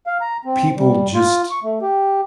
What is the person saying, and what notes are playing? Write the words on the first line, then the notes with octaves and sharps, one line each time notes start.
people just
F5
A#5
C4
G3
F4
C#6
A3
G4